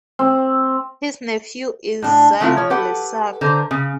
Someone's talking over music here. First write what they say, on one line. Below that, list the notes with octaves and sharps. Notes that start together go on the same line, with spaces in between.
His nephew is Zach Plesac.
C4
A2 D4
C#3 F#3 A3 C4 E4 F4
F3 C#5
G4 A4 B4 F#5
D3 C5 A#5
C#3